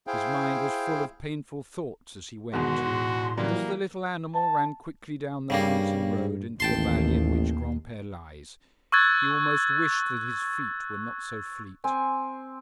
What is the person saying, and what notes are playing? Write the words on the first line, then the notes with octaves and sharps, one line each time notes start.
His mind was full of painful thoughts as he went, and as the little animal ran quickly down the mountain road into the valley in which Granpere lies, he almost wished that his feet were not so fleet.
E4 G#4 C5 F5 G5
E2 G#2 B2 D#3 F#4 C6
A2
E3 F#3 G3 A#3
A5
G2 C#3 G3 A#3
A1 D#2 G5 A5 C6
C#6 E6 F#6 G#6 A6
C4 G#5